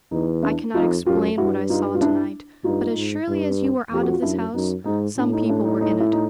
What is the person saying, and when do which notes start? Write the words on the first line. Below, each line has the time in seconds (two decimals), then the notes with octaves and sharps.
I cannot explain what I saw to-night, but as surely as you were out of this house, some people were in it.
0.11 E2 D#4
0.43 D4 E4
0.74 F2 D#4 F4
1.06 F#2 F4 G4
1.38 G2 E4 F#4
1.70 D#4 F4
1.95 F4
2.01 D4 E4
2.64 G2 D#4 F4
2.96 G#2
3.28 G2
3.91 F2 G4
4.03 F#4
4.14 F4
4.22 F#2 D4 E4
4.54 F#2 D#4
4.85 G#2 D#4
5.17 A2 D4
5.33 D#4
5.49 D4 E4
5.65 D#4
5.81 D#4
6.00 E4
6.13 D#4